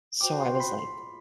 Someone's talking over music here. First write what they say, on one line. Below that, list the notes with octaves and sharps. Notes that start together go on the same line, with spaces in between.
so I was, like,
F#4 C5 G5 D6
C6
C6
B5
C6